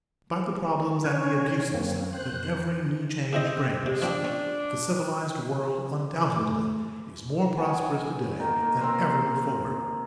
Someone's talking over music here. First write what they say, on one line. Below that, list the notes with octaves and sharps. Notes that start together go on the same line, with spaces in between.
Despite the problems and the abuses that every new change brings, the civilized world undoubtedly is more prosperous to-day than ever before.
C#3 C#4 C#5
F#2 A#3 C4
C5 F#6
F2
C#3 C4 E4 D#5
C3 G#3
F3 C4 D4
C#4
A3
B3 G#5
D#3 A#3
C4 A#4 C5 F5